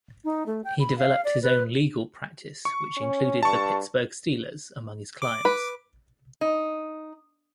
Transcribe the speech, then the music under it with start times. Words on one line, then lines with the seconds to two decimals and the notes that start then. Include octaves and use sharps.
He developed his own legal practice which included the Pittsburgh Steelers among his clients.
0.25 D#4
0.46 A3
0.64 G5
0.80 B5
0.98 F5
1.25 D5
1.43 B4
2.65 C#6
2.97 C#4
3.43 G2 A5 C#6
5.22 D6
5.45 B4
6.41 D#4